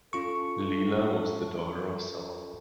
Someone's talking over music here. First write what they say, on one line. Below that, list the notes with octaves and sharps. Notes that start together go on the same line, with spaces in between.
Leela was the daughter of Sole.
C#4 F4 A4 C#6